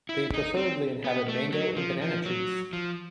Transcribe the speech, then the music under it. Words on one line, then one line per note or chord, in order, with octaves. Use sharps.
They preferably inhabit mango and banana trees.
E4
D#4
C4
B3
A3
F#3
F3
F3
F#3
F3